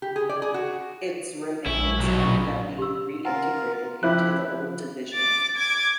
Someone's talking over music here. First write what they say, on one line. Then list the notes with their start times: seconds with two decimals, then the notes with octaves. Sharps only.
Its remains ended up being reintegrated into the old division.
0.02 G4
0.16 G#4
0.29 D5
0.42 G#4
0.54 F#4
1.66 A#1 G#3 E4 C#6
1.99 B1 F#3 F#4 G4 C#6
2.26 A#2 F4 B5 D#6
2.78 G4 E6
3.25 F4 A#4 F#5 G#5
4.03 F3 E4 G4 F#6
5.12 D6 A6
5.57 D6 G#6